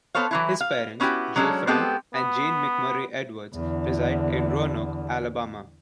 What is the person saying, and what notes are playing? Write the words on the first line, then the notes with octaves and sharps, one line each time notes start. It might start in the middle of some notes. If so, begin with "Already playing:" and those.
His parents, Joe Frank and Jane McMurray Edwards, reside in Roanoke, Alabama.
B3 A4 C5 C#5 F5
E3 F#3 E4
F5
B3 C#4 E4 F#4 G4
F#3 G#3 C#4 D4 A4
G#3 B3 C4 G4 A4
B3
E2 D3